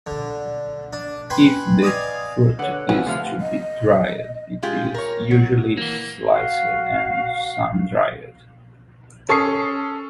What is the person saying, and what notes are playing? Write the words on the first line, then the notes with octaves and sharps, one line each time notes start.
If the fruit is to be dried, it is usually sliced and sun-dried.
D3
D4
B4 G5 G#5 B5 C6
D5 D#5 F5 G#5
D3 B4 C#5 F#5
F3 B3 E4 G#5
D2 C3 F3 F5
D#5
G#3 F4 G4
A#4 C#5
F#3
E3 A#3
F#4 F5
C#4 A4 C#6 D#6 C7